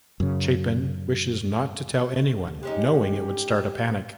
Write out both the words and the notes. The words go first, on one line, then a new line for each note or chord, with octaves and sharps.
Chapin wishes not to tell anyone, knowing it would start a panic.
F#2 C#3
G#3 C#4 D#4 G4